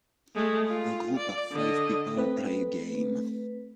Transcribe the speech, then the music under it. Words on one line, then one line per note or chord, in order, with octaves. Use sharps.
A group of five people play a game.
G#3 A3
F4
D5
D3 D#5
A3 C4 B4 B6